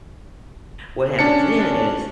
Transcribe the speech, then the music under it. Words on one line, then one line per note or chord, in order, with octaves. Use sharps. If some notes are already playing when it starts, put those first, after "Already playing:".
What happens then is-
C#4 D4 A5 C#7